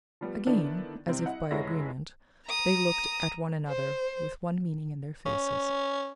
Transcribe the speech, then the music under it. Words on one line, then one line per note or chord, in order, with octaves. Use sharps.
Again, as if by agreement, they looked at one another with one meaning in their faces.
F3 G3 B3
D3 D#3 B3 D4 E4 B4
C3 G3 C4 E4
E4 D#5 F#5
F1 G#3 E4 C#5 E5 A#6
A#5 D#6
C5
C#4